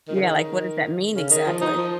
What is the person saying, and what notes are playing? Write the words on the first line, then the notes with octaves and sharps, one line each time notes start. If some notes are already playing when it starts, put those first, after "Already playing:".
Yeah, like what does that mean exactly?
D#3
C#3
D#3
C#3
D#3
F3
D#4
F3